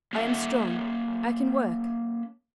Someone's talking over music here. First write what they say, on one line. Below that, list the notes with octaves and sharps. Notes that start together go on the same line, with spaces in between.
I am strong. I can work.
A#3 C#4 A4 E5 F#5